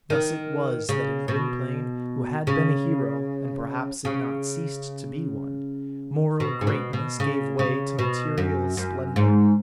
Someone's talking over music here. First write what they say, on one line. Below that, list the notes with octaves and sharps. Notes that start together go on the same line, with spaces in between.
Thus it was that in Gwynplaine, who had been a hero, and perhaps had not ceased to be one, moral greatness gave way to material splendour.
D#3
C#3
B2
C#3
C#3
B2
G#2
B2
B2
C#3
C#3
B2
F#2
F#2
G#2